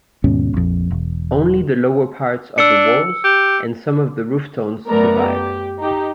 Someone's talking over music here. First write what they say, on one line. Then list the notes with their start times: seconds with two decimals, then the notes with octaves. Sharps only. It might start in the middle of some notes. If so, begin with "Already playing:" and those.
Only the lower parts of the walls and some of the roofstones survive.
0.24 D#2 G#2 B2 C#4
0.53 A#1 F2
0.91 E1
2.58 D4 E6 C#7
3.24 G4
4.89 F#2 A3 B3 A#4 D5 A#5
5.28 G4
5.79 D#4 G4